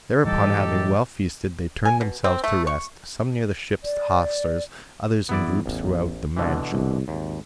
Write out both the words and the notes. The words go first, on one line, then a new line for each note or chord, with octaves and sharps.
Thereupon having well feasted they turned themselves to rest, some near the ship's hawsers, others in groups throughout the mansion.
A2 E3 G3 D#4 G4 A4
G#5
B2
C4
A3
C#6
D5
E2 B3 E4 D5
A1 E2
C2 B2 D3 E3
C2
G#1 D#2